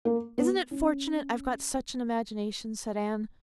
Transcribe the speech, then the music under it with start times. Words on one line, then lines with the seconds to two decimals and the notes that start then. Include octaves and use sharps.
"Isn't it fortunate I've got such an imagination?" said Anne.
0.05 A#3
0.38 B3
0.71 C#4